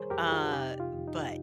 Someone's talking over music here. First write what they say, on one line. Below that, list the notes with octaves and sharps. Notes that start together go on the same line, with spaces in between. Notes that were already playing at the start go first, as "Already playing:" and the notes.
uh, but,
Already playing: C3 D#3 G3 G#4 A#4 C5 C#5
F2 G4 A#4
F4 G#4
C3 D#4 G4
F4
F2
D#4